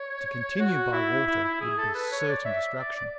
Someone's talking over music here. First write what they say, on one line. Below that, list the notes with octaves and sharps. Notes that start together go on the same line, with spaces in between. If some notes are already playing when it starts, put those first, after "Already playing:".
To continue by water would be certain destruction.
Already playing: C#5
F#4
E4
E4
E4
G#4
A4
B4
C#5
D5
E5
D5
D5